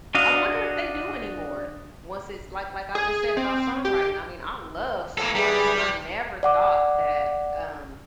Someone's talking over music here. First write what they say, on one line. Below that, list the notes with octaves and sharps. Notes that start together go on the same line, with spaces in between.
I wonder if they do anymore once it's like like I just said about songwriting, I mean, I love songwriting, and I never thought that, um,
D4 F#4 D#5 F5
G#4
C4
G4
A#3 A4
G3 G#4 B4 E5
D5 F#5 D6